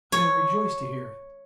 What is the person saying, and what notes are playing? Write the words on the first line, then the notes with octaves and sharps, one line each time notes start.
I am rejoiced to hear it.
C#5